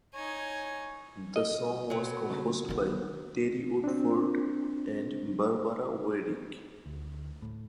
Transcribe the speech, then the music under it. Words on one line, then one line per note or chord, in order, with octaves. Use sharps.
The song was composed by Terry Woodford and Barbara Wyrick.
D#4 C#5 G#5
D#5
B2 F#3
D#3 B3
C4 D4
D2
A2